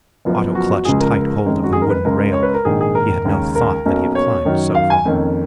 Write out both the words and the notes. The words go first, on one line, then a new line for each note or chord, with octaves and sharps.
Otto clutched tight hold of the wooden rail, he had no thought that he had climbed so far.
F#1 F#2 F3 B3
F#4
C#2 C#3 F3 G#3 G#4
A#4
F#1 F2 D#3 G#3 C#4
F#4
G#4
A#4
B4
C#2 C#3 G#3 A#4
C#5
B4
A#4
A#1 G#2 D#3 A#3 G#4
G#4
A#4
D#2 C#3 G#3 C#4
A#4
B1 B2 A#3 C#4
C#5
F#2 D#3 F#3
F5
G#5
F2 D#3 A#3 C#4